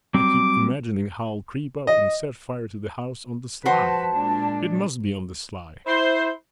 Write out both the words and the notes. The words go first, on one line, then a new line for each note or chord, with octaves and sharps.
I keep imagining how I'll creep up and set fire to the house on the sly; it must be on the sly.
F#3 G3 C4 D6
D#5
F3 F#4 B4 C5 A5 C6
A#2 G#3 D4
E4 C5